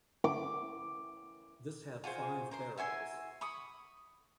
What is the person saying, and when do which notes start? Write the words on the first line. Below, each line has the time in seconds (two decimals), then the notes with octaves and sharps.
This had five barrels.
0.24 D6
2.04 F4 F#4 G#4 C5
2.51 A#4 C5 C6
2.78 E4 F#4 G#5 C6
3.41 B5 C#6 D#6